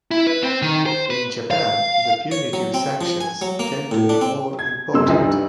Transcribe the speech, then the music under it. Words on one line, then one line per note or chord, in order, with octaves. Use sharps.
In Japan the punitive sanctions tend to be more important.
E4
B4
C4
D#3
C5
B4
F5
C#5
F#3
C4
F3
G#5
F#3
A#3
A2
D4
C4
G#6
F#2 C3 G#3 C6 E6
D2 C3 E3 F3 D#5
G2 G3 D#4